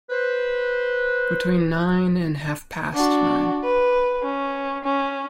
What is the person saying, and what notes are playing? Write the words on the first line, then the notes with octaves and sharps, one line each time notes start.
Between nine and half-past nine.
B4 C5
D4 F#4
B4
C#4
C#4